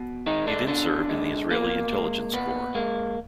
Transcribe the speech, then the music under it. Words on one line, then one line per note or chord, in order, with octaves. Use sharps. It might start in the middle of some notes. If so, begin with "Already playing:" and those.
He then served in the Israeli Intelligence Corps.
Already playing: B2
D#3 G#3 D#4
D3 D4
B2 D3 D4
G#3
B2 A#3
G#3
A#2 B3
G#3 A#3